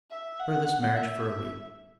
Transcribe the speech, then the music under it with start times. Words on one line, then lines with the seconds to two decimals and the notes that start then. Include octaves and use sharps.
Defer this marriage for a week.
0.11 E5
0.39 F#5
0.95 E5